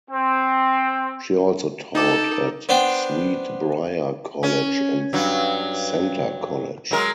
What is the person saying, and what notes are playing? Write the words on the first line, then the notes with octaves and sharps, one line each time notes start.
She also taught at Sweet Briar College and Centre College.
C4
D#4 A4 D6
B3 D4 C5 G5
C#4
G2 F#3
F#3 G#3 A#4